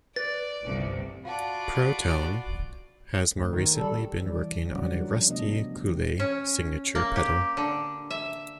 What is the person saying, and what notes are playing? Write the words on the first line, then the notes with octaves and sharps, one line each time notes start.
ProTone has more recently been working on a Rusty Cooley Signature pedal.
B4 D5 A6
G1 C2
F4 F#4 D5 F5 F#5 A5 B5
D2
D#3
G3 A4
E3 G3 E4 D5
D3
D3 F#3 G3 C#4 D5 F#5
F3 G3 D4 A#4
C3 A3 B3 D4 D#5
E3 G4
C#4
A#3
G4
D3
E5